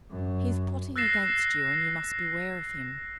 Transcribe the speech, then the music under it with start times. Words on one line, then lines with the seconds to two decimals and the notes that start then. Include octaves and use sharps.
He is plotting against you, and you must beware of him.
0.11 F#2
0.96 E6 F#6 A6 A#6 C7 E7